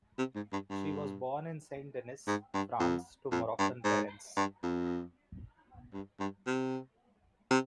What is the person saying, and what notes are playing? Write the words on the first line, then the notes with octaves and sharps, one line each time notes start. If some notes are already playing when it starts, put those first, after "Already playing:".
She was born in Saint-Denis, France, to Moroccan parents.
C3
G#2
G2
G2
G#2
G2
F2
F2
G2
G#2
G2
F2
G2
G2
C3
C3